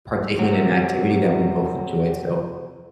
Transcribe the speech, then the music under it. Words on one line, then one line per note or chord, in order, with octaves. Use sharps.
partaking in an activity that we both enjoyed, so
C3 F#3